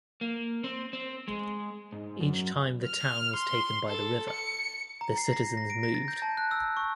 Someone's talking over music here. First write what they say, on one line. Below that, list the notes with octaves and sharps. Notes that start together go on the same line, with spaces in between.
Each time the town was taken by the river, the citizens moved.
A#3
C4
C4
G#3
G#2
F#2
F6
C6
A4
C#7
A#5
C7
A#6
A#6
D7
A#6
A6
G6
A5
F#6
E6
C#6